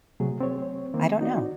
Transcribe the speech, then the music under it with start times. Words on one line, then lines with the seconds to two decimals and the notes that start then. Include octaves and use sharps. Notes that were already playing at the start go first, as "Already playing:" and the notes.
I don't know.
0.20 C3 F#3 A3 G#4
0.40 C4 C#5
0.94 D#3 A#3 C4
1.21 D#4 F#4 D5 D#5